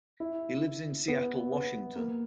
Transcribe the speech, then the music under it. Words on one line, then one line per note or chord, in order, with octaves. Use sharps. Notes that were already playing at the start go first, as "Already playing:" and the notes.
He lives in Seattle, Washington.
E4
B3
B3
A#3